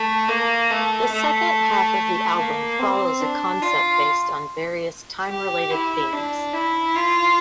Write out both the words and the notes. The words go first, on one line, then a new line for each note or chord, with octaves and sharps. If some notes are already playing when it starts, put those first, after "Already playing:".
The second half of the album follows a concept based on various time-related themes.
Already playing: A3
A#3
A3
A3
A#3
C4
D4
F4
G4
E4
D4
E4
F4